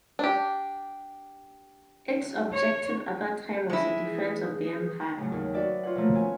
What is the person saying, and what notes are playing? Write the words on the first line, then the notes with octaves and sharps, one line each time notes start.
Its objective at that time was the defence of the Empire.
D4 G4
C#5
G#3 E4
E3 G#4
A2 C#3 F#3
D#2
F#4 B4 D5 E5
F4 C#5 F#5
B2 F3 A3 A#3
B3 C#4 G#5